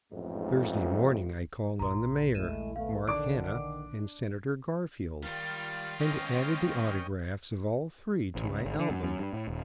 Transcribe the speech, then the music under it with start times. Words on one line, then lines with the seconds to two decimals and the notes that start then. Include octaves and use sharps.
Thursday morning I called on the Mayor, Mark Hanna and Senator Garfield, and added the autographs of all three to my album.
0.12 A1 F2 G#2
1.79 A#1 D#2 A#5 C6
2.35 G#3 A3 E4 D#7 E7
2.76 A3 B3 F5
3.08 D3 D#3 D4 D5 D6 D7
5.24 D#3 G3 F4
6.00 G#3 C4 C#4 D#5 G5
8.35 A1
8.49 C#2
8.65 G#1
8.79 D3
8.90 F#2
9.04 F#2
9.19 G2
9.33 A2
9.48 D#1